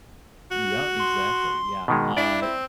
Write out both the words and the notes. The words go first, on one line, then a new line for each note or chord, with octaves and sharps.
Yeah, exactly, yeah, uh
F#4
C6
B2 D#3 G#3
D4 E4 D5
C4